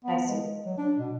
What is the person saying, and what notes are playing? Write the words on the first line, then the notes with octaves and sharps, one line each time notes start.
I see.
B3
G#3
F#3
D4
B2